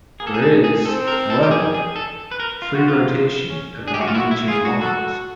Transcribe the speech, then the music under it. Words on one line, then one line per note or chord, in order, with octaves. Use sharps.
There is, however, free rotation about many chain bonds.
A#3 G#4
A4
G#4
A4
G#4
C4 A4
A#4
A4
G4
G#4
G#4
A4
B4
A#4
F4
F#4
B3 F4
C#4
D4 G#4
G4
F#4
F4
E4 F#4
E4
F4 G#4
F#4
F#4 A4